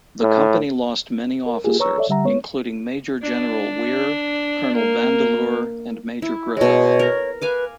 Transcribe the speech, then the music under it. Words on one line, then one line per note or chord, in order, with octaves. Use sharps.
The Company lost many officers, including Major General Weir, Colonel Vandeleur, and Major Griffith.
A2
A#4
A#3 F4 G4 G#4
B4 C#5 A#5 C#6 E6
A4 C#5 D5 E5
D3 G3 E5 F#5 A#5
G#3 B3 C#5
D4
A#3
E4
B2 G#3 C#5
A#4
B4 F5 G#5 D6